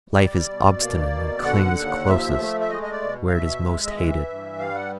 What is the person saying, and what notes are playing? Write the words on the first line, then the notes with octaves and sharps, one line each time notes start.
Life is obstinate and clings closest where it is most hated.
G3 D5
B2
A#3
B2
D3 F#5
D#2
F3 E5
A3
E5
G#3 D#5
D#5
D5
B2
F5
B2 E5
G#3
D#5
E3 E5
G2
G3 F5
F#5